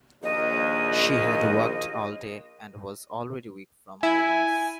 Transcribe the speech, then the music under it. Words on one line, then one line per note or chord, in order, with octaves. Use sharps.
She had walked all day and was already weak from her illness.
A#1 D#2 D#5
E4 G#5